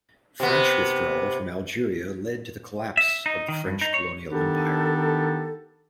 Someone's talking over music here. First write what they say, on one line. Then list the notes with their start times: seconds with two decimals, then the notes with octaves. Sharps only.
French withdrawal from Algeria led to the collapse of the French colonial empire.
0.40 C3 B3
2.97 E5
3.26 D#4
3.48 D#3
3.67 G2
3.81 D#4
3.94 C#5
4.31 D#3 B3 D4 D#4 G4 A4